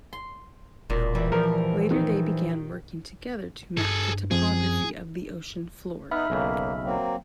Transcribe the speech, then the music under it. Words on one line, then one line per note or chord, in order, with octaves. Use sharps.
Later, they began working together to map the topography of the ocean floor.
C6
E1 A#2
E3 G3
F3 A#4
D#3
G2 G#4 A4
F#2 F3 C4 G#4
B3 D#4 E5 B5 F6
B1 C#3 A#3
F#3 A#3 C4